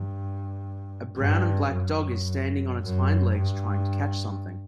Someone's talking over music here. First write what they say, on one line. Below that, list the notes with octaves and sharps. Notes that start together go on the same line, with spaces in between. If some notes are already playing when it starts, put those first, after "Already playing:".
A brown and black dog is standing on its hind legs trying to catch something.
Already playing: G2
G2
F#2
F#2
G2